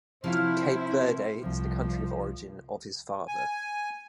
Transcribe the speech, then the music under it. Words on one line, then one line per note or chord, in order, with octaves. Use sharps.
Cape Verde is the country of origin of his father.
C3 F3 A#3 C#4 E4 F#4 C5 F5
C2 F3
G#5